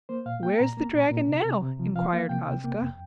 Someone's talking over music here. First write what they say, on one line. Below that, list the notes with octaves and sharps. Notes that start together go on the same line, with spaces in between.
"Where is the dragon now?" inquired Ozga.
A#3 C5
A#2 F5
A#3 G5
A#2 A#5
A#3
A#2
A#2
C3
C3
C3
F3
F3 F5
A#3
C3 G5
C3
A#3
F2